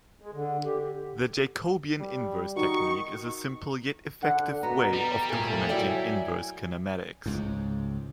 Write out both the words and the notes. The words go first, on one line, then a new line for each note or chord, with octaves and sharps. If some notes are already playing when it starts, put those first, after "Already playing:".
The Jacobian inverse technique is a simple yet effective way of implementing inverse kinematics.
G#3
D3
G4
G3
D#3 D#4 F#4 C#6
D3 F#5
B2 B3 A#5
G3
D#2 A#2 A3 G#5
F#3 E4 D5 G5
C#2 G#2